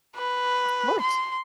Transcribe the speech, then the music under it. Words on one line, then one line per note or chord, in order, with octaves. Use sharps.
Of course.
B4
C6